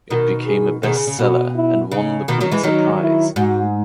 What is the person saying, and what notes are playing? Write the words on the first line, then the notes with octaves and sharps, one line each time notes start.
It became a best-seller and won the Pulitzer Prize.
B2 D#3 A#4
G#4
B2 D#3 G#4
C#3
C#3
B2 F#4
E4
C#3 D#4
B2 D#3
D#3 F#3
E3 G#3
D#3 F#3 D#4
E4
G#2 F#4